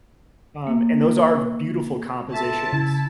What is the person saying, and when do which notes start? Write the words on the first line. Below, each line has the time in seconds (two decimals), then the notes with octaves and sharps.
Um, and those are beautiful compositions.
0.67 A#3
2.33 F4 A4 E5 A5
2.73 C#3 E4